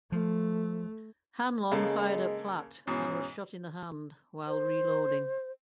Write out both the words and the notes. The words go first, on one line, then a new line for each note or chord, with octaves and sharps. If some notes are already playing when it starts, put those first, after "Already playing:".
Hanlon fired at Platt and was shot in the hand while reloading.
F3 A3
C#3 G#3 A#3 A4
G#2 B2 E3 C#4
C5